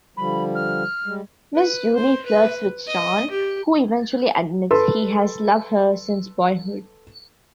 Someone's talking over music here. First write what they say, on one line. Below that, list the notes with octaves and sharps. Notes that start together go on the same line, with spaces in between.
Miss Julie flirts with John, who eventually admits he has loved her since boyhood.
D3 F3 G3 B5
F6
G3 G#3
B4
C5
B4
D#5
G4
A4 B4 C6